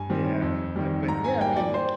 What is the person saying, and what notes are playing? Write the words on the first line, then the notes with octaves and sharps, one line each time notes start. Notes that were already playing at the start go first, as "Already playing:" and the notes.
Yeah. Ah, but yeah, I mean,
Already playing: G2 G#5
D#3 G3 C4
F2
D#3 G3
G#2 A#5
G#5
G3 A#3 G5
D5
C5